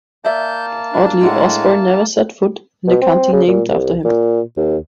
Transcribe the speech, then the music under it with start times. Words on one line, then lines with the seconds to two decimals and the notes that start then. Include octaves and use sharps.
Oddly, Osborne never set foot in the county named after him.
0.25 A#3 D5 E5 A5 G6
0.92 D4
1.21 A2 G#3 D4 E4 F#5
2.88 B2
3.02 C4
3.33 C#3
3.47 A#2
3.70 C2
4.05 A#2
4.57 D#2